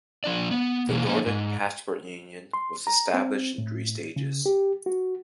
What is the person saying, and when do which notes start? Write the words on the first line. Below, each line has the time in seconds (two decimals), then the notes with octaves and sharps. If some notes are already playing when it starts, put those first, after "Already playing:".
The Nordic Passport Union was established in three stages.
0.24 F3 D4 D5
0.51 B3
0.89 B2 E3 A#3
1.05 F3 A3 A#3 C#4 D#4
1.26 G#2
2.53 C6
2.87 A#5
3.14 C4
3.58 A2
4.16 C#3
4.46 G4
4.86 F#4